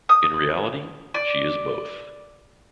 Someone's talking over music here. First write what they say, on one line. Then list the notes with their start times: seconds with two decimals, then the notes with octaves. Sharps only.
In reality: she is both.
0.09 D#6
1.14 D5